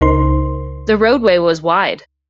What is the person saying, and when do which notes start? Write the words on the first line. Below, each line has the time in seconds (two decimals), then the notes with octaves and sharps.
The roadway was wide.
0.01 C#2 C#3 D#4 A#4 C5 C6